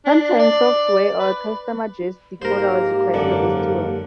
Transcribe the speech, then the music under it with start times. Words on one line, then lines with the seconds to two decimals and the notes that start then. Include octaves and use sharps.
Sometimes software or a custom address decoder was required for this to work.
0.05 D4
0.39 D5
1.19 B4
2.42 G#2 A#3 G4 A#4 C5
3.14 F#2 D3